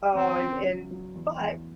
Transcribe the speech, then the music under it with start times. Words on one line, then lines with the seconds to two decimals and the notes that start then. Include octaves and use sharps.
Oh, and and but
0.15 E2 C4
0.41 C#3
0.66 F#3
0.91 F#3
1.15 E2
1.41 E2